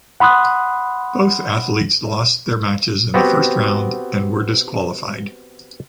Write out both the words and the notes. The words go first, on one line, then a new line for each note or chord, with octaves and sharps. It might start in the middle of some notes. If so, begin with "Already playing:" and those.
Both athletes lost their matches in the first round and were disqualified.
F#5 B5 C6 D#6 F#6
B3 C4 F#4 G4